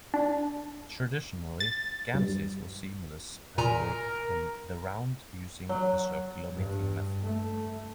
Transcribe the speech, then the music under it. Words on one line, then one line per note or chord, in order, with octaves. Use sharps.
Traditionally, Ganseys were seamless and worked in the round using the circular knitting method.
D4
A6
G2
A#2 A#4 G#5 A#5
F#3
G2
A3